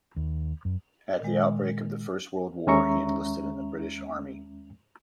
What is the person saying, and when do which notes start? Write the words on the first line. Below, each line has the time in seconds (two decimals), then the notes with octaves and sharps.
At the outbreak of the First World War he enlisted in the British Army.
0.16 D#2
0.65 F#2
1.20 A#2 D#3 G#3
2.67 D#2 G#3 C#4 E5 A#5 C#6